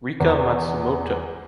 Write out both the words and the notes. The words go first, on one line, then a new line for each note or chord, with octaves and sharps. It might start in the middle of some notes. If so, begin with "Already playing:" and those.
Rika Matsumoto.
E2